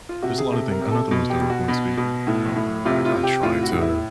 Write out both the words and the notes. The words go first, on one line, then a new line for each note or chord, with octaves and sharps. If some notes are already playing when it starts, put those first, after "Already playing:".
there's a lotta thing I'm not the most eloquent speaker, but whenever I I try to
F4
C3 F#4
G#4
C3 A4
A#4
C3
A4
B2
G4
B2
F#4
B2
B2
A2
A2
C3 F4
F4
C3
G4
A2 F4
F#4
A2
E4